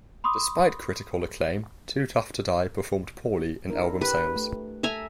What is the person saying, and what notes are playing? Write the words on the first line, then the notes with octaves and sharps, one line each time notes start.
Despite critical acclaim, "Too Tough to Die" performed poorly in album sales.
B5 C6 D6 D#6
D4 E4 A#4
G4 B4
A3
A4 E5 G#5 A#5